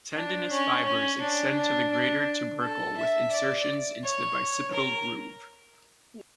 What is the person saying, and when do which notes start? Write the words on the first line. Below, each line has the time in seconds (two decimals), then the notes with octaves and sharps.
Tendinous fibers extend to the greater tubercle with insertions into the bicipital groove.
0.16 D4
0.51 C#4
0.86 C#4
1.21 D4
1.56 D4
1.91 D4
2.62 A4
2.97 E5
3.32 D5
4.03 C#5
4.73 A#4